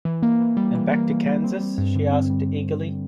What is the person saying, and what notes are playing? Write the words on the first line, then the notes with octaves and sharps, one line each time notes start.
And back to Kansas? she asked, eagerly.
E3
A#3
E3
G3
E3
A#3
E3
G3
C4
G3
G2
D3
C4
G3